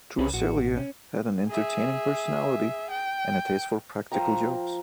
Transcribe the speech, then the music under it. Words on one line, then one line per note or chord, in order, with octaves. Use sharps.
Trousselier had an entertaining personality and a taste for practical jokes.
C2 C#4 G#4 B4
A1 F#4
C#4
G#4 E5
G5
F3 A#4 G5 A#5